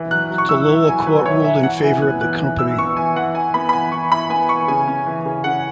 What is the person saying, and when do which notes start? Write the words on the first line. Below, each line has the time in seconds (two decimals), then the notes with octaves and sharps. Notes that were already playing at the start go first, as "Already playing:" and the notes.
The lower court ruled in favor of the company.
Already playing: E3
0.11 F#3 F#6
0.30 F#3
0.38 C#6
0.49 E4 E6
0.69 E4
0.87 F#3 G#5
1.06 F#3 B4
1.26 E4 C#5
1.44 E4 E5
1.63 E3 F#5
1.82 E4 G#5
2.02 B3 F#6
2.21 E3 F#6
2.40 E3
2.59 E4 E6
2.78 B3 C#6
2.97 E3 G#5
3.16 E3 F#5
3.34 E4 G#5
3.54 B3 B5
3.69 B5
3.73 E3 G#5
3.92 E3 C#6
4.11 E4 B5
4.30 B3 G#5
4.49 E3 C#6
4.68 C#3 G#5
4.88 C#4
5.06 E3
5.26 C#3
5.44 C#3 F#5